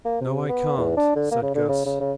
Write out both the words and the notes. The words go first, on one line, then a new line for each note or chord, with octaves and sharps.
"No I can't," said Guss.
A#3
C3
B3
E2
D4
D3
A#3
C#3
D3
C#3
C#3
C#3